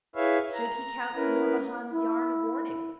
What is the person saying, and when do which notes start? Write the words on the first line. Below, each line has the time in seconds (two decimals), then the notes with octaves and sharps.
Should he count De Morbihan's yarn a warning?
0.15 E4 G#4 B4 C#5 E5 F5
0.54 A#5
1.15 C#4 E4 A#4 B4
1.91 E4